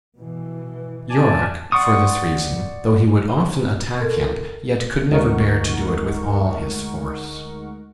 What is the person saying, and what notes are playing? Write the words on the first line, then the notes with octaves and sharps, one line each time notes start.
Yorick, for this reason, though he would often attack him--yet could never bear to do it with all his force.
B2 E3
D5 G#5 A5
D5 F#5 C6 C#6 D#6
A4 A#4 C6 G#6
D2 G#3 D#4 A#4 F#5 C#6